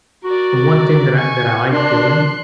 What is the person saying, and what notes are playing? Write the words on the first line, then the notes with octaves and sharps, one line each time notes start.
the one thing that I that I like doing
F#4 A#4 D5
G#5 C#6
D4 A#4 C6 F#6